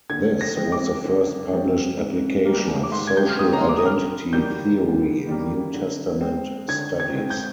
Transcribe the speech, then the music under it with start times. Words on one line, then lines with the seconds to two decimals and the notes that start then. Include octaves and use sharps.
This was the first published application of social identity theory in New Testament studies.
0.10 D3 G#6
0.41 A#6
0.57 F3 G#3 C4
0.72 D6
1.04 D3
1.51 F3 G#3 C4
1.98 G#2
2.45 G3 A#3
2.83 D6
2.92 G#2 C6
3.07 G#6
3.17 G6
3.29 F6
3.39 G3 A#3 D#6
3.53 A#5
3.61 C6
3.69 D6
3.78 D#6
3.86 G2 F6
4.33 D#3 G3 A#3 G6
4.80 G2
5.27 D#3 G3 A#3
5.74 D3
6.21 G#3 C4
6.68 D3 G#6
7.00 G#6
7.16 G#3 C4
7.30 G6